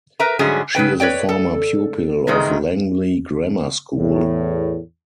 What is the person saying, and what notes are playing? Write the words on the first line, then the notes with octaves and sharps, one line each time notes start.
She is a former pupil of Langley Grammar School.
A#4 B4 E5 A#5
G#2 D3 F#3 G3 C#4 G#4
C#3 F#3 B4 G5
B4 C#5 D5 G5
A4
E2 G#2 D#3 G#3
E2 A2